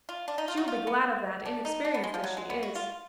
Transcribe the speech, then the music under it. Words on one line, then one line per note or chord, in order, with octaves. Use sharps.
She will be glad of that, inexperienced as she is.
F4
D4
D#4
F4
F#4
F4
B3
D4
D#4
D4
B3
G#3
F3
F#3
G#3
B3
F#4
F4